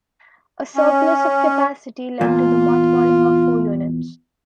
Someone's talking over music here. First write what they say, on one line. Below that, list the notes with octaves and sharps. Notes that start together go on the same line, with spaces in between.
A surplus of capacity led to the mothballing of four units.
C#4
E2 A#2 F4